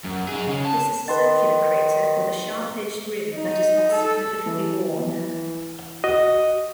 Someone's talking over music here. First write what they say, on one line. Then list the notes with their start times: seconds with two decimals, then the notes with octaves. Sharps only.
This is a circular crater with a sharp-edged rim that is not significantly worn.
0.04 F#2
0.28 D#4 G#4
0.47 C#3 C#4
0.65 A5
1.08 D#3 B4 C6 A6
3.34 D#4
3.92 A4
4.46 E3
6.04 F#4 D#5